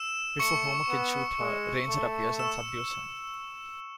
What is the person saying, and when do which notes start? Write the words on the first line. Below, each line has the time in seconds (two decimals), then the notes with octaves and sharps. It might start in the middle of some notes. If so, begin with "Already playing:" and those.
Before Homer can shoot her, Ranger appears and subdues him.
Already playing: E6 E7
0.39 A3 C#6 C#7
0.89 B3
1.40 G#3
1.89 A3
2.39 E6 E7